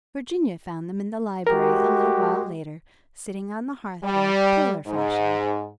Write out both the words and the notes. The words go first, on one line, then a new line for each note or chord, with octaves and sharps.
Virginia found them in the library, a little while later, sitting on the hearth-rug, tailor-fashion.
G#3 F#4 G4 A#4
G3
G#2